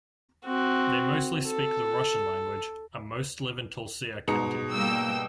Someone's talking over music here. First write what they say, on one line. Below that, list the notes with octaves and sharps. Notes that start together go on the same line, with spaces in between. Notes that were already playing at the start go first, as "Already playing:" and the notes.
They mostly speak the Russian language, and most live in Tulcea County.
C4 F#4
A4
G#2 B2 A#5 C#7
G3 A#3 G5 E6